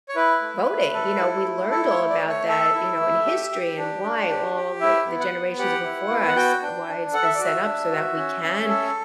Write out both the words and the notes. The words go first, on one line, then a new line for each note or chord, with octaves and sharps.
voting. You know, we learned all about that, you know, in history and why all, eh, the generations before us, why it's been set up so that we can
C#5
E4 B4
A3
A3
A4
E4
A3
E4 A4
C#5
A3
D5
A3
C#5
A4 E5
E4
A3
G4
G4
D4
D4
G4
G4
E4 E5
B3
F#5
B3
G4 F#5
E4
B3
F#5
F#4 G5
D4
D4
A4 F#5
E5
F#4 D5
E5
D4
F#4
C#4
C#4
A4